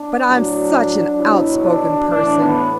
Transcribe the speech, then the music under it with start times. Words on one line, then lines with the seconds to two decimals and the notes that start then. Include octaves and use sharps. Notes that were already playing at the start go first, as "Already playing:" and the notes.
But I'm such an outspoken person.
Already playing: D4
0.28 A2 F#3
1.18 B2 F#3 E4
1.63 D4
2.08 A2 E3 D4
2.37 B3